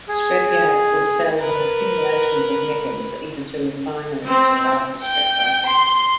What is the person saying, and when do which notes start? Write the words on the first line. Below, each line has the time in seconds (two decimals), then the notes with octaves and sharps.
Scrapyards will sell their accumulations of metals either to refineries or larger scrap brokers.
0.08 G#4
1.39 A#4 B4
4.28 C4
5.02 G5
5.66 C6